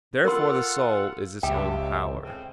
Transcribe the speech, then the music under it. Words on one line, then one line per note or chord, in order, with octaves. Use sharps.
Therefore the soul is its own power.
F4 A4 A#4 F#5 C6
C#2 G4 E5 G5
A2 C#3 C4